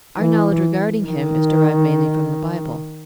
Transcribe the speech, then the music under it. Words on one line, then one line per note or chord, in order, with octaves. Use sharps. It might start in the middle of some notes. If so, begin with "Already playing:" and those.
Our knowledge regarding him is derived mainly from the Bible.
E3
D#3